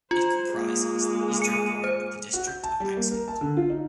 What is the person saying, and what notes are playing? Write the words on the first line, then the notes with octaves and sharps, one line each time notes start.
It comprises the eastern part of the district of Eichsfeld.
F4 C5
G#3 A#3
C#7 D#7
C5
F#4
G6
A5
G3
A#3
A#4
A5
D3
F4
D#4